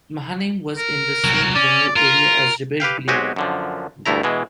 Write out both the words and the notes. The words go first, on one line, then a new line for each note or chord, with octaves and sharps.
Mahanaim was in the same general area as Jabesh-gilead.
A#4
C2 F#3
C#4 D5
F4 A#4
G4 B4 F5 G5
B1 G#3 C4 F#4 G4 G#5
F#2 D3 F3
D2 G2 A3 E4 A#5
B2 E3 G#3